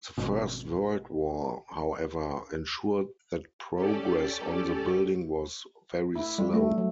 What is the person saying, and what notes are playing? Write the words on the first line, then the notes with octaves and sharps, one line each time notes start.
The First World War, however, ensured that progress on the building was very slow.
G#1 B2
C#4 G4 A4 D5
E4
G3
A3
F#3